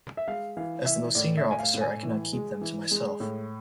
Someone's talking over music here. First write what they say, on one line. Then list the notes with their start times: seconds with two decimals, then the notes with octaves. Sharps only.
As the most senior officer I cannot keep them to myself.
0.17 E5
0.28 G#3 F5
0.57 E3 F5
0.86 E3 E5
1.15 A2 D5
1.37 E5
1.44 A2
1.51 G#5
1.59 F5
1.74 A2
1.81 G#5
2.03 E3
2.33 G#3
2.61 E3
2.91 G#3
3.20 A2